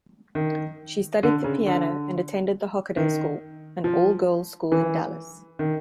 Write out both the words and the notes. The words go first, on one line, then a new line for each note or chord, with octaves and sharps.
She studied the piano and attended the Hockaday School, an all-girls school in Dallas.
D#3
D3
C#3
D3
D#3
F3
E3
D#3